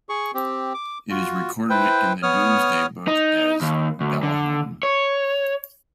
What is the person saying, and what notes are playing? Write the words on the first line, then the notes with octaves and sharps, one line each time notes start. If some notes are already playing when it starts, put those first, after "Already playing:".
It is recorded in the Domesday book as Beleham.
G#4 C#6
C4 G4
D6
F4 F#4
E4 B4 C5 G5
B3 C#5 D#6 F6
D#4
D#2
D2
D3
C#5